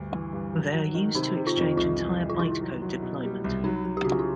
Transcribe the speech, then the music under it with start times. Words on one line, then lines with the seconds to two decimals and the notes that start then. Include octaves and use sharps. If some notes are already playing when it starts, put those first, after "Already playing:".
They are used to exchange entire byte-code deployment.
Already playing: D2 G2
0.12 E3
0.33 G2
0.54 F#3
0.74 F#3
0.94 D#3
1.15 C3 D#4
1.37 C3
1.47 F4
1.57 F2
1.77 C2 F4
1.98 E3
2.19 C2
2.30 F4
2.39 D#3 E4
2.61 F#3
2.82 F#3
3.02 B2
3.23 G3
3.44 C2
3.64 F#3 D#4
3.85 F#3
3.97 G4
4.05 C#3 F#4
4.12 F4
4.19 E4